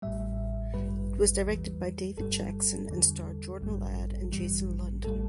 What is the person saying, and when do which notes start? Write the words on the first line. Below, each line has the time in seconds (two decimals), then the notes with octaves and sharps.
It was directed by David Jackson and starred Jordan Ladd and Jason London.
0.02 A1 A2 G3 E5
0.74 A1 G2 G3 B4
1.46 E2 E3 G3
2.17 G1 G2 G3 A4
2.89 E2 D3 G3
3.61 A1 G2 G3
4.32 A1 G2 E3 G3
5.04 A1 A2 G3 A4